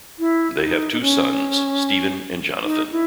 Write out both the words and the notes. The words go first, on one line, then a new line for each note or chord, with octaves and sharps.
They have two sons, Steven and Jonathon.
E4
E4
D#4
D#4
C#4
D#4
E4